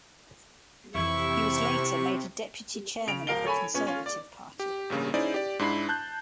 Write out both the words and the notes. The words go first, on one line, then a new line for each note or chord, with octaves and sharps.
He was later made a Deputy Chairman of the Conservative Party.
F2 C3 E3 E4 C#6
C#3 D7 F7
D1 A#4 F5 D7 G7
A4 C#5 G#5 B5
A#2 B3 C#4
C#4 F4
D5
G4
A1 G2 C#3 A#3
C#4 D#4 E4 G#4 C5 D5
G4 D5
G#2 D4 E4 B5 C7
A5 F#6 G6